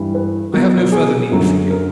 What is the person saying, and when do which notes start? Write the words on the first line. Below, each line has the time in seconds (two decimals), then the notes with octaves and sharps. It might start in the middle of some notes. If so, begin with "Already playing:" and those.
I have no further need for you.
Already playing: G2 E3 G3
0.15 B4
0.53 B2 F#3 A#4
0.92 G#4
1.31 F#2 D3 F#3
1.70 A#4